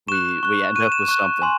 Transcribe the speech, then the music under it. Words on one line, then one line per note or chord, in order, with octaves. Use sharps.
we we end up with something.
C#6 F#6 E7
C#6 F#6
C#6 F#6 D#7
E7
C#6 F#6
G#5 C6